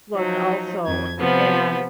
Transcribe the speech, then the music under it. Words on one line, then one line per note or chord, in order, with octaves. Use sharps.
look also. And
F3 F#3 D#4
F2 G#6
C3 F3 B3 B5